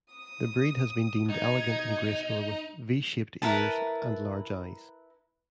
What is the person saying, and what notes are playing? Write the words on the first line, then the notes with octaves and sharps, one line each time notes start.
The breed has been deemed elegant and graceful with V-shaped ears and large eyes.
D#6
B2 D#4 G#6
E4 A#4 B4 A5